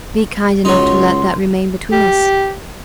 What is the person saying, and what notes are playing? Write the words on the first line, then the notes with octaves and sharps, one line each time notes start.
Be kind enough to let that remain between us.
C#2 F#3 D#4 C6
G4